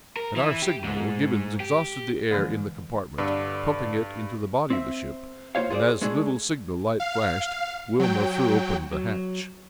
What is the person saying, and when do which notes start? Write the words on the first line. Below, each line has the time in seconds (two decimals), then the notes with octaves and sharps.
At our signal, Gibbons exhausted the air in the compartment, pumping it into the body of the ship, and as the little signal light flashed, Wilma threw open the hatch.
0.17 A#4
0.36 E3
0.62 G4
0.84 G#2
1.60 G4
2.30 D3 E3 F3 G#3 A#3 D5
3.18 G2 D3 B4 D5
4.70 C4 E5
5.55 A#3 F4 C5 C#5 F5
5.70 F4 G#4 B4 C5 D5
6.01 G#3 A3 D4 G#4
7.00 F5
7.99 F#3 G5
8.92 F#3